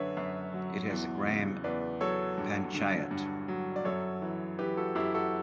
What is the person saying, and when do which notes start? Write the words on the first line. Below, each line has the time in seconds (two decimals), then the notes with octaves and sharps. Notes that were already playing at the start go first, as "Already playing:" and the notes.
It has a Gram Panchayat.
Already playing: F#2 D3 B4 C#5 E5
0.17 F#2
0.54 F#3
0.90 E2
1.27 C#3
1.64 E2 B4 D5
2.01 F#3 A4 C#5
2.38 G2
2.74 D3
3.11 G2
3.48 F#3
3.76 D5
3.85 F#2 A4 C#5
4.22 E3
4.59 E3 G4 B4
4.77 F#4 A4
4.95 F#2 E4 G4
5.14 F#4 A4